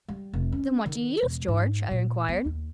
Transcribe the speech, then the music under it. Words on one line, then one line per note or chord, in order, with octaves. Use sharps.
"Then what do you use, George?" I inquired.
G3
F1
C#4
D#3
E1
G#2
A#2
B3
D#2